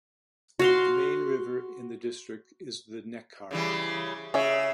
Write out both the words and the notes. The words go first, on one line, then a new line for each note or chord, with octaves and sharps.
The main river in the district is the Neckar.
F#4 F5 C6
C#3 E3 G3
C#3 C#4 E5